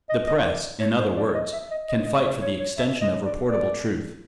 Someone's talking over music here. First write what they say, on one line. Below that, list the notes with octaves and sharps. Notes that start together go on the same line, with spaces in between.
The press, in other words, can fight for the extension of reportable truth.
D#5
D#5
D5
C#5
C5
D5
D#5
E5
D#5
D#5
D#5
D5
C#5
C#5
E5
D#5
D5
D5